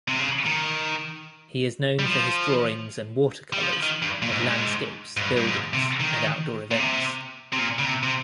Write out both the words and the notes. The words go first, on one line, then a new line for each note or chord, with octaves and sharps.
He is known for his drawings and watercolours of landscapes, buildings and outdoor events.
C3
C#3
D#3
G3
F3
G3
F3
D#3
G2
A#2
G#2
G2
G#2
G#2
G2
G2
G#2
C3
D#3
A#2
C3
C3
A#2
C#3
C3
C3